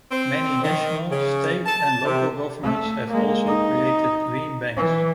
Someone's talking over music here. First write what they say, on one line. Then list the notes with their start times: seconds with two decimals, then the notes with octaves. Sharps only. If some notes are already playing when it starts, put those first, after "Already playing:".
Many national, state, and local governments have also created green banks.
0.11 C4
0.61 D#3
1.10 C#3
1.66 A5
2.03 C3
2.63 A3
3.12 G#3 A#3
3.47 D#4
4.77 E3